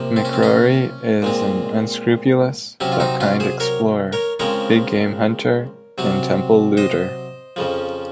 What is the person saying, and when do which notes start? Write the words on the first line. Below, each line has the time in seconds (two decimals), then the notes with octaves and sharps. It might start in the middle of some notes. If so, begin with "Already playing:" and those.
McRory is an unscrupulous but kind explorer, big-game hunter, and temple looter.
Already playing: C3 F3 A#3
0.16 C4
0.25 C#4
0.33 C4
0.43 C#4
1.22 A#2 G#3 C4
2.80 C3 F#3 C4 C#4
2.92 F4
3.00 C4 D#4
3.20 C#4 F4
3.40 G#4 C5
3.60 A#4 C#5
4.13 A#4 C#5
4.39 C#3 F3 G#3 C4 A#4 C#5
5.98 C3 F#3 C4
6.77 C5 D#5
7.56 F2 C#3 F3